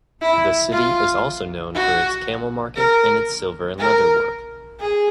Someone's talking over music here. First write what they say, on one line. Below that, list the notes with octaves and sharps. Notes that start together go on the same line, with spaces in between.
The city is also known for its camel market and its silver and leatherwork.
E4
F4
F#4
A#4
A#4
G#4